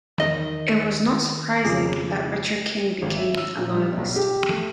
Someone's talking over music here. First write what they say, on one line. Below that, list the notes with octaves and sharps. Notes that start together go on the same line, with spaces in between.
It was not surprising that Richard King became a loyalist.
E2 D#3 D#5
F2 C#3 G#4 D6
G#1
E5
E6
A#2
G3
B1
G4
A3